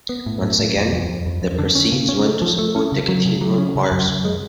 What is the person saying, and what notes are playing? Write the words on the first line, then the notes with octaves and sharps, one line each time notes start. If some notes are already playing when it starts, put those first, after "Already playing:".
Once again, the proceeds went to support the Cathedral Choir School.
B3
A2
A2
A2
F2
F2
F2
F2
F2
D3
C#4
C#3
C#4
A3
F3
A3
C#4
C#3
F#3
C#3
F#3
C#4
C#3
F#2
F#2
G#3